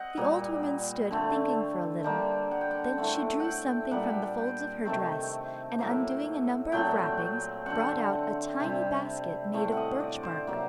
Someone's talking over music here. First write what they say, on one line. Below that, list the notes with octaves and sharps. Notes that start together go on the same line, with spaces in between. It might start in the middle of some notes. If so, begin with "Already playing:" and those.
The old woman stood thinking for a little: then she drew something from the folds of her dress, and, undoing a number of wrappings, brought out a tiny basket made of birch-bark.
Already playing: C4 D#5 F#5
A#2 G3 A#3
D3 A3 C4
D3 G3 A#3 G5
F#5
G5
F#5
A2 A3 C4 F#5
F#5 G5
A#2 G3 A#3 F#5
G5
C3 D#3 A3 C4
A2 F#3 A#3
A#2 F#3 A3 C4 G5
D3 F#3 C4 F#5
C3 G3 C4
A2 A3 C4
D#5 F#5
D5
C5
C3 F#3 A#3 F#5